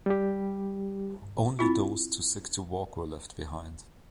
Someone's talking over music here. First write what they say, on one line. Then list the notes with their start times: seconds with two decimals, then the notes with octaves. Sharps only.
Only those too sick to walk were left behind.
0.06 G3 G4
1.59 C4 E4 F4